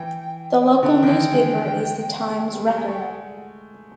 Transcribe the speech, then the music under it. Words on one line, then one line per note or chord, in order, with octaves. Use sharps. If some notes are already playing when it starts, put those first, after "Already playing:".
The local newspaper is "The Times-Record".
Already playing: E3 G5
D3 G5
D#3
E3
G#3
G#3
G3
A3
G#3 G#5
A3 G5
G#3 F#5